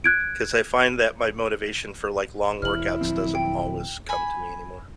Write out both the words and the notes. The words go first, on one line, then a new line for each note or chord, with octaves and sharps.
'cause I find that my motivation for, like, long workouts doesn't always come to me anymore.
F#6 G#6 D7
E1 E4 F6 F#7
D1 F3 C4
G5
G#5 B5